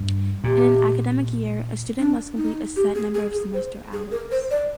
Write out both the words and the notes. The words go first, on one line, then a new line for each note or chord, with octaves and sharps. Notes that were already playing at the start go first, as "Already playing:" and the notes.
In an academic year, a student must complete a set number of semester hours.
Already playing: G2
A#2 G4
D4
D#4
G4
G#4
G#4
G#4
C5
G#4
A#4
C5
D5